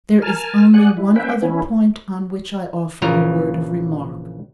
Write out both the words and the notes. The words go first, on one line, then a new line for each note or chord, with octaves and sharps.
There is only one other point on which I offer a word of remark.
A#4 G#5 A5 F6
G#4 D5 F#5 G#5 F#6
G3 E4
A#3 C#4 B4 C5 E5 G5
E3 C#4 E4
A#1 C#3 E3 F4 A#4 A#5